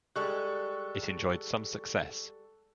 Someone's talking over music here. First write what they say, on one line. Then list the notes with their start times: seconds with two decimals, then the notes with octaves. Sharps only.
It enjoyed some success.
0.16 G3 G#3 A4 C#6 F#6